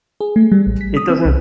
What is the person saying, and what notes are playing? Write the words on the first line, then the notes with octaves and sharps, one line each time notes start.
it doesn't
G#4
A3
G3
A1
B6
D#6
C4
C2